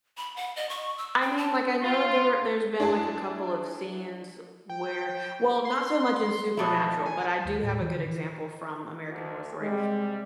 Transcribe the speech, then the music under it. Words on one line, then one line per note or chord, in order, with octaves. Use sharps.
I mean, like I know there there's been, like, a couple of scenes where well not so much in Supernatural, but I do have a good example from American Horror Story.
B5
F#5
D#5
C#6
E6
G5
A5
F4 C6
D4 E4 G#4 A5
G5
C6
B2 F3 A3 E4
G#5
D#2
A2
E3
D3
E3
D2
C3 G3 G#3